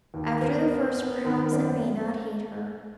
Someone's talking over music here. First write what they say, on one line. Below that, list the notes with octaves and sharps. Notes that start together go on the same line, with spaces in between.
'After the first, perhaps, I may not hate her.
D#2
B3 A#4 C5
B3
B3
D#3 A#4 C5
F#2 C5 D5